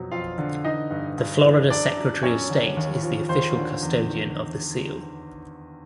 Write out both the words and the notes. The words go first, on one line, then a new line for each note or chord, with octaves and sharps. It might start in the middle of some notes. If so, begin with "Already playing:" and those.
The Florida Secretary of State is the official custodian of the seal.
Already playing: F2 B2 F#3
F2 F4 F5
D3
E3 D#4 D#5
G2
G2
E3
F#2 D4 D5
F#3
F#2 C#4 C#5
D3
D#2
F3
D#2 C5
D3
E2
D#3